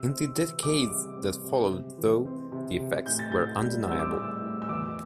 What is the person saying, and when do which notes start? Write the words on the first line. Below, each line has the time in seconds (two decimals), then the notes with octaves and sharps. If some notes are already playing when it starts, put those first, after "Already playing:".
In the decades that followed, though, the effects were undeniable.
Already playing: C3 E6
0.09 C4
0.36 E3
0.63 G3 D6
0.90 C3
1.17 C4
1.44 C3
1.71 C3
1.98 E3
2.25 C4
2.52 C3
2.80 C3
3.06 A2 G6
3.19 A6
3.32 A2 G6
3.61 G3
3.88 C4 E6
3.99 D6
4.11 A2 E6
4.42 A2
4.62 E6
4.69 E2 D6